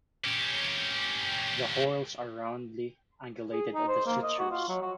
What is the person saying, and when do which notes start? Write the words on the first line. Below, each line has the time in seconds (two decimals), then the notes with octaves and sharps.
The whorls are roundly angulated at the sutures.
0.24 C#4 G4
3.52 G#4
3.74 D#4
3.88 C5
4.06 A#3
4.23 D#5
4.39 F#4
4.51 F4
4.69 F#3
4.82 F#4